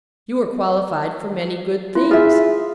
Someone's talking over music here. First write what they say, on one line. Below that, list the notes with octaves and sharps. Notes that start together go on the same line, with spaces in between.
You are qualified for many good things.
E4 F4
F4 G#4 E5